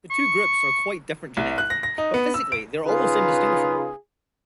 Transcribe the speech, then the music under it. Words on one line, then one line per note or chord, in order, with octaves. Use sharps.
The two groups are quite different genetically, but physically they are almost indistinguishable.
C#6
C2
F#6
A#6
A#6
D#4
B3
E6
D7
C#3 D#4 F4 G#4 B4